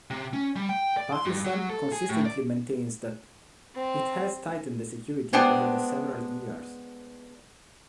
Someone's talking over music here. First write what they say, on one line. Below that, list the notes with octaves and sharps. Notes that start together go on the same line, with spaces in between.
Pakistan consistently maintains that it has tightened the security over the several years.
C3
C#4
G3
G5
D5
C6
G2
F#3
A4
G#4
A2
D5
C4
G#3 B3 D4 C5 G5 A5